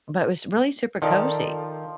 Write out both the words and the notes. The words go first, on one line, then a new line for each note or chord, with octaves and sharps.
but, it was really super cozy
D#3 F3 A4 D5 F5